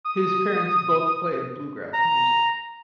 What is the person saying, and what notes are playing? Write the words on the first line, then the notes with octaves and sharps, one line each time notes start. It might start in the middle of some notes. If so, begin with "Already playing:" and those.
His parents both played bluegrass music.
D#6
A#5